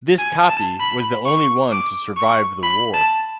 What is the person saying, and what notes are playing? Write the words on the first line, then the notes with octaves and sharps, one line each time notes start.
This copy was the only one to survive the war.
G#5
A5
B5
C#6
D6
C#6
B5
A5